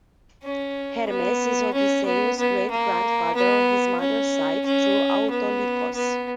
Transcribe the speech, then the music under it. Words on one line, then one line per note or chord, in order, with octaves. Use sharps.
Hermes is Odysseus's great grandfather on his mother's side, through Autolycos.
C#4
B3
C#4
B3
B3
A#3
B3
C#4
C#4
B3
B3